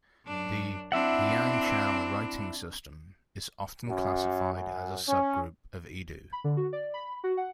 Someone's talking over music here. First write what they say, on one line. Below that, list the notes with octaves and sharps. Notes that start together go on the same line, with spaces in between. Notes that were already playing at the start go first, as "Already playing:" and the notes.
The "hyangchal" writing system is often classified as a subgroup of Idu.
F#2 D4
C4 D4 E4 E5 F#5
F#2
F#2
C#4
B5
D3
F#4
D5
B5
F#4
F#5